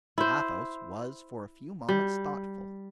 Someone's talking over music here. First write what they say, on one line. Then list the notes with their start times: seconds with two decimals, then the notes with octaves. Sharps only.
Athos was for a few moments thoughtful.
0.18 E4 C5
1.89 G3